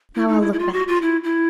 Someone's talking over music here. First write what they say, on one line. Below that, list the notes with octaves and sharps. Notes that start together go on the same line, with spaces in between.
Now I'll look back.
E4
D#4
E4
E4
F4
F#4
F4
E4
E4